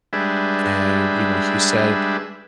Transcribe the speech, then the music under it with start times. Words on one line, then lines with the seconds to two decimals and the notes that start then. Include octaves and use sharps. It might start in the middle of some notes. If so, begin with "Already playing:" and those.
and, you know, he said
0.13 G3 G#3 D4 B4 E5